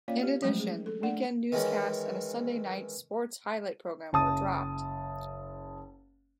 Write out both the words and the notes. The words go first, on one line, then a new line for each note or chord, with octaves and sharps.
In addition, weekend newscasts and a Sunday night sports highlight program were dropped.
A#3 C#4 F4 C#5 D5 F5
G4
F3 F#3 G#3 A3 C#4 C5
G#4
A4
A3 D4 D5 F#5
D#3 E3 G#3 C#4
F#1 A5 D#6